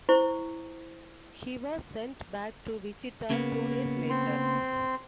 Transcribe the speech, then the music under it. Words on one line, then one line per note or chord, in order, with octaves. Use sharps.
He was sent back to Wichita two days later.
E4 C5 C#6
C#3 A#3 B3
C4 C6